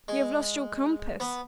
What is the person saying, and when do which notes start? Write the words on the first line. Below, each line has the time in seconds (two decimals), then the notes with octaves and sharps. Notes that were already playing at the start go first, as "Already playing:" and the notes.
You have lost your compass!
0.08 G#3
1.20 B3